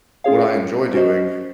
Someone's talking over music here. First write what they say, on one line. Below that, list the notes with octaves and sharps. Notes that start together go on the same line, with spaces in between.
what I enjoy doing,
C#4 F4 G#4 C#5 F5
C#4 F#4 C5 D#5